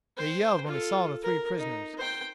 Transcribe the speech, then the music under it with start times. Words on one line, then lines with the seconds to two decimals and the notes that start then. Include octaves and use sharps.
They yelled when they saw the three prisoners.
0.17 C5 G5
0.67 F4 A4
1.23 A#4
1.58 D#4
1.98 C5 G5